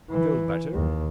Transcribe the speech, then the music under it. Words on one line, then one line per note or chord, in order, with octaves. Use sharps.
Feel better.
E3
D#2